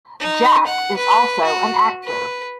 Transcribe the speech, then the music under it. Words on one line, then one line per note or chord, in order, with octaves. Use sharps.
Jack is also an actor.
D#4
F#5
B4
F#4
B4